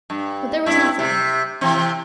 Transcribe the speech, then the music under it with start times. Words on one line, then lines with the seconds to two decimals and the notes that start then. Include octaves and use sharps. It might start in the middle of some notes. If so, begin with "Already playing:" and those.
But there was nothing.
0.10 G2
0.66 G2 E4
0.99 C3
1.61 C3 E3 C4